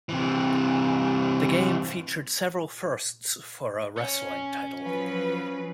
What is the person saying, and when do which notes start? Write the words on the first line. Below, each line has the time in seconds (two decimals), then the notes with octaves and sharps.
The game featured several firsts for a wrestling title.
0.09 C3 E3
3.98 C#4
4.82 F3 F#3 B4